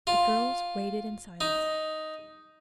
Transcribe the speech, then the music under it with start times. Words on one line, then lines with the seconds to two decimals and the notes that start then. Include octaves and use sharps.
The girls waited in silence.
0.07 F4
1.41 D#4